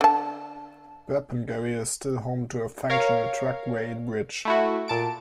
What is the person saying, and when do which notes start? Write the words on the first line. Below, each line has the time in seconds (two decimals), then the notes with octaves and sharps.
Burpengary is still home to a functional truck weigh-bridge.
0.01 D3 A5
2.90 A#4 C#5 F5
4.45 A3 E4 F#4
4.88 A#2 A5 D7